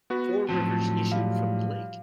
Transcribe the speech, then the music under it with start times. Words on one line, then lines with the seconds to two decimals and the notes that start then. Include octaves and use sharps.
Four rivers issued from the lake.
0.10 B3 F#4 B4
0.49 A2 F3 F#3 C4 A5
1.12 G3 F5